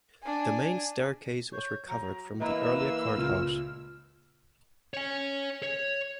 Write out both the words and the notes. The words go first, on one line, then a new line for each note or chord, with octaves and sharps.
The main staircase was recovered from the earlier courthouse.
D4 G#5
C#5 G6
F#3 A#5
E3 A#3 D#5 A#5 B5 E6
C#2 A#2 F6
C#5 G#5
C#5